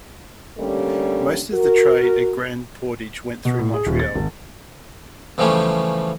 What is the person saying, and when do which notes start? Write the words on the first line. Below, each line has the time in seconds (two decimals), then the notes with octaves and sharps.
Most of the trade at Grand Portage went through Montreal.
0.58 D3 G3 A3 A#3 C#4
1.52 F#4 A#4
3.45 B2
3.59 A2
3.74 G#4
3.86 D#1
4.00 A6
4.15 G#1
5.38 E2 C#3 F3 G3 A3 C#4